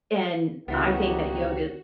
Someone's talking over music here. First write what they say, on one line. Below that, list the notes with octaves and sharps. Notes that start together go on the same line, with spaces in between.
and I think that yoga
C#2 G#2 C#3 E3 A#3 B3 F#4 G4